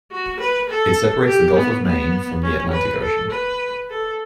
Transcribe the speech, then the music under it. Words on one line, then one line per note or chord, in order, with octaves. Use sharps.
It separates the Gulf of Maine from the Atlantic Ocean.
F#4
B4
A4
G4
B3
B3
C#4
B4
A4
B4
A4